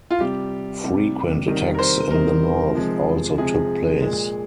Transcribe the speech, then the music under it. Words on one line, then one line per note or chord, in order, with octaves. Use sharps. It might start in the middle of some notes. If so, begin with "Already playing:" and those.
Frequent attacks in the north also took place.
F4
C3 G3 G4
C3 G3
C3 D#3 G3
A#4
C5
C3 D#3 G3 A#4
C3 F3 G#3
C3 F3 G#3 G#4
A#2 G#3